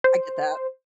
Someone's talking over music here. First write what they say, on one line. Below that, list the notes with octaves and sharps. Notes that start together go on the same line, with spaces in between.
I get that.
C5